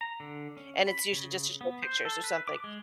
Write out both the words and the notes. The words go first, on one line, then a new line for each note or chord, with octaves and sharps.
and it's usually just to show pictures or something.
A#5
D3
C#4
B5
C#3
B3
C5
A4
B4
D6
G#3